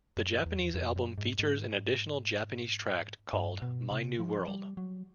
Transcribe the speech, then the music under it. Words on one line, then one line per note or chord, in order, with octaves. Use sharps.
The Japanese album features an additional Japanese track called ""My New World"".
F#2
E2
F2
F#2
G#2
G#2
G2
B2
C3
F3
G3
F#3